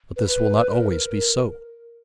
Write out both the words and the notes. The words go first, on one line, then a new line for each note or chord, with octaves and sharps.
But this will not always be so.
B4
A#4